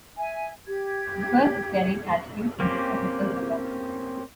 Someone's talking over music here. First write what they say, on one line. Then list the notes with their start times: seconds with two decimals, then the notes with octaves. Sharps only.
The first is terrain altitude, as discussed above.
0.17 E5 G#5
0.67 G4 G#6
2.60 A#3 C4 C#4 G4